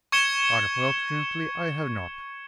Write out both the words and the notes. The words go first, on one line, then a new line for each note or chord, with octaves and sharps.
"Unfortunately, I have not."
C#6 G#6 C#7 E7 G7